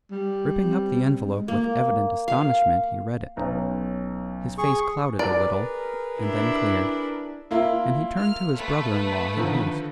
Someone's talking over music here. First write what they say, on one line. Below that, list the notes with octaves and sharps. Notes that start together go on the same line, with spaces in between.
Ripping up the envelope with evident astonishment he read it; his face clouded a little, and then cleared, and he turned to his brother-in-law and host.
G3
C4
G#3
A#3
F5
B1 C#4 A#5
G#4 C#6
G#4 A#4 B4 D5
D4 E4
A#3 E4 F4
F6
A3 B4
D3 D#3 F3